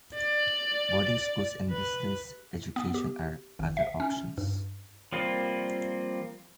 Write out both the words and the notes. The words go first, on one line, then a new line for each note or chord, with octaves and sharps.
Boarding schools and distance education are other options.
D5
B4
B3
G4
G#1
E5
C#4
G2
F3 G3 A#3 C4 F4